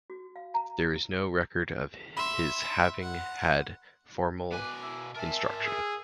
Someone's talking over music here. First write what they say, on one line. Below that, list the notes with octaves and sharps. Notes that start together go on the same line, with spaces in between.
There is no record of his having had formal instruction.
F#4
F5
A#5
E5 B5 C6
F#5
B2 B4 G#5 D6
E4
A#4 E5 G#5 A5
G#4 E6